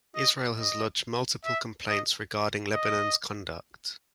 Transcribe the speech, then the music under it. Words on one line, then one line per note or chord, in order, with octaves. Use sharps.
Israel has lodged multiple complaints regarding Lebanon's conduct.
D#5
D#5
E5
D#5
D#5